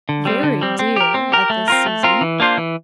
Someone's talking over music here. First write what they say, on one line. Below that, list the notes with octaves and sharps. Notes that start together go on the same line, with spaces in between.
"Very dear at this season."
D3
G3 C4
D3
G3 C4
C4
G4 A#4
C4
G4 A#4
A3
C4 F4 A#4
A3
C4 F4 A#4
E3
A#3 D4 F4 C5
E3